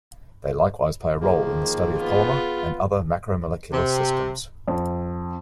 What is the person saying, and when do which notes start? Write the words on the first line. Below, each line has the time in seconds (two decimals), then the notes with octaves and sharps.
They likewise play a role in the study of polymer and other macromolecular systems.
1.21 D#3 F3 A#3 G#4
1.99 B3 F4
3.72 C3
4.68 F2